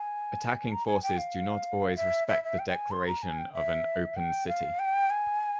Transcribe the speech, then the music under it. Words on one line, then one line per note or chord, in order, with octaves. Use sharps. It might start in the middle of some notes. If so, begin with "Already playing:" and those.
Attacking forces do not always respect the declaration of an "open city".
Already playing: G#5
A#5
G#5
G5
F5
E5
E5
E5
G5
G5
G#5
C6
A#5
G#5
G5
E5
G5
F5
G5
G#5